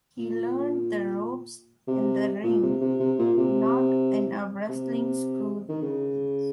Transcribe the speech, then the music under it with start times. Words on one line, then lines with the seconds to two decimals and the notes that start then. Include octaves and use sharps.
He learned the ropes in the ring, not in a wrestling school.
0.19 A#2
1.87 C3
2.44 A#2
2.63 C3
2.81 C3
3.00 C3
3.19 A#2
3.38 C3
4.69 C3
5.69 D#3
5.81 C#3